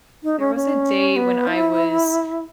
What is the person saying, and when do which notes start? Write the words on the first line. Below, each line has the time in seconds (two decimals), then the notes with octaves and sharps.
There was a day when I was
0.24 D#4
0.39 C#4
0.55 C#4
1.16 B3
1.47 E4